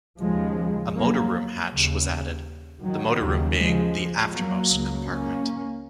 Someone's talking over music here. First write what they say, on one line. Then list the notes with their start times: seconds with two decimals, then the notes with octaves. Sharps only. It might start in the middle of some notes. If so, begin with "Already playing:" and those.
A motor room hatch was added, the motor room being the aftermost compartment.
0.19 D#2 C#3 F3 G#3
0.94 F#3 A#3
1.70 D#2 C#3
2.82 D#3 F#3
3.19 D#2 C#3
3.57 F3 G#3
4.33 F#3 A#3
4.69 C#2 C#3
5.07 A#3 C#4